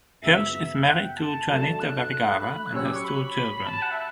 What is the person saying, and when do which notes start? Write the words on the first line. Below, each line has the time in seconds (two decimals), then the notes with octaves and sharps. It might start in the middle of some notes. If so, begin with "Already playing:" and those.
Hirsch is married to Juanita Vergara and has two children.
0.22 F#2 C#3 F#3 B3 E5
0.85 F#5
1.01 G5
1.17 A5
1.48 F#3 A3 D4 F#4 A4
1.79 F#6
2.41 B5
2.66 F#6
2.72 F#3 C#4 G4 C#5 E6
2.85 D6
2.94 C#6
3.04 B5
3.66 A5
3.82 F#5
3.91 E5